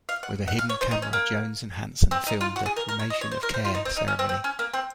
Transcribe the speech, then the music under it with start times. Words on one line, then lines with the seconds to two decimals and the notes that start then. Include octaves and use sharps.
With a hidden camera, Jones and Hanson filmed the "Cremation of Care" ceremony.
0.09 F5
0.23 F#5
0.48 F#5
0.59 F5
0.69 C#5
0.81 C5
0.91 D#4
1.02 C#4
1.13 A#3
2.11 C4
2.27 D#4
2.41 F4
2.56 F#4
2.66 G#4
2.76 A#4
2.89 A#4
2.99 C#5
3.10 D#5
3.21 C#5
3.31 C5
3.43 A#4
3.54 C5
3.65 F4
3.75 D#4
3.85 C4
3.97 D#4
4.08 C#4
4.19 C4
4.29 C4
4.44 C#4
4.59 A#3
4.74 C4